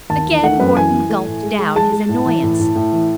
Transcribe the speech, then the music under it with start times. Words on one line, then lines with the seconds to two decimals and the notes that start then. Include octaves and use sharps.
Again Wharton gulped down his annoyance.
0.10 D#2 A5
0.27 E3
0.43 A3 F#5
0.60 F#2 B4
0.77 E3 G#5
0.93 E3
1.09 A3
1.26 A2
1.43 G#3
1.59 G#3
1.75 G#3 A5
1.92 G#3
2.09 A2
2.26 E3
2.43 A2
2.59 A2
2.75 A2
2.92 E3